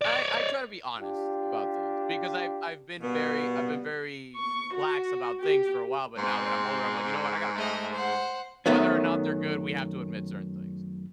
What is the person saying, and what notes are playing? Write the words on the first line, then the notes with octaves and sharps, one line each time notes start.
I I try to be honest about things because I've I've been very I've been very lax about things for a while, but now that I'm older, I'm like, "You know what, I gotta be honest about things." Whether or not they're good, we have to admit certain things.
C#5 D5
D4 F4 G4
B2 G3 A#3 B3
C#6
F#4
G4
G#2 C4 C6
A3 D#5
C5 F#5
F#2 D#3 A3 B3 C#4